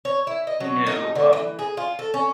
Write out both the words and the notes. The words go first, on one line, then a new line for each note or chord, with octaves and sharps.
you know, um,
C#5
E4
D#5
F#3
D#4
D3
E3
G#4
F4
A4
C#4